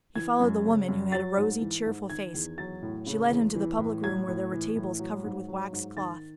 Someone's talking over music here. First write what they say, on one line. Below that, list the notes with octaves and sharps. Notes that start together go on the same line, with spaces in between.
He followed the woman, who had a rosy, cheerful face; she led him to the public room where there were tables covered with waxed cloth.
E3 G#6
F#2
C#3
F#2
F#3 A6
G#2
E3
G#2
D#3 G#6
E2
F#3 A6
A2
C#3
E2
E3
A2
F#3 G#6
A2
E3
A2
F#3
G#2
F#3
G#2
D#3 A6